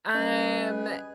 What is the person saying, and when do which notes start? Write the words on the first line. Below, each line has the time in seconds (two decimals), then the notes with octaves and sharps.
Um, eh,
0.15 G3 C#4 G#4 B4 D#5 G#5